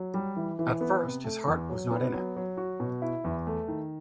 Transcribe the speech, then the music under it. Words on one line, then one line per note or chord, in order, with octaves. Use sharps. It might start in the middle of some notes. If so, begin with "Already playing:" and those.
At first, his heart was not in it.
Already playing: F#3
G3
E3
E3
B3
C3
A3
E2
F#3
B3
F#3
F#3
F#4
B2
E4
E2
A3
D#3